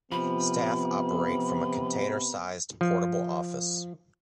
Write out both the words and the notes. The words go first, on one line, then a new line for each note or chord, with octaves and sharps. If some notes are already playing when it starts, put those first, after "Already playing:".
Staff operate from a container-sized portable office.
C3 F3 B3 B5
F3